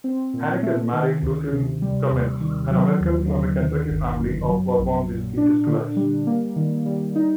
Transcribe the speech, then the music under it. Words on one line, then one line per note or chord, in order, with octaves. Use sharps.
Heineken married Lucille Cummins, an American from a Kentucky family of bourbon whiskey distillers.
C4
A#2
A3
D#3
D2
C3
G3
D#2
D#3
F#3
D#2
D3
D#3
G1
F#2
F#3
A#1
A#2
D4
D3
G3
A#3
D#3
G3
D#4